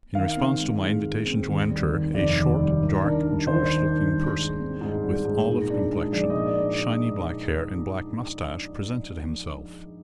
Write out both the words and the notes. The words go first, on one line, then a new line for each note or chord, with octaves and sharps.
In response to my invitation to enter a short, dark, Jewish-looking person, with olive complexion, shiny black hair and black mustache, presented himself.
D#3 F5
C4
G#3
G#2
D#3
C4
D#2
G3
D#3
F1 D5
D#2
G3
D#3
D4 A#4
G3 A#4
D#2 C5
D#3
D4
G3
G#2
C4
G#2
G3
G#2
A#2
D4
G#3
A#1 D5
D#5
A#2
D5
D4